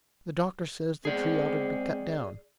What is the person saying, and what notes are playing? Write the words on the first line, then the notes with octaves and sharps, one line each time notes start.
"The doctor says the tree ought to be cut down."
G#3 C4 G#4 D5